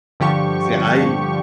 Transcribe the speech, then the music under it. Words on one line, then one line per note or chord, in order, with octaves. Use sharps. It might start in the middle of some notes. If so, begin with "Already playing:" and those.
See I
G2 D3 F3 G4 C#6